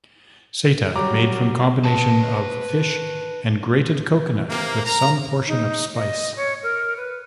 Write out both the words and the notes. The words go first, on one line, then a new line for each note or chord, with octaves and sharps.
Sata made from combination of fish and grated coconut, with some portion of spice.
F#3 G3 A#5 D6
B4 A5
C3 A#3
A#4 A#5
D#4
D#5
C#5
A#4
B4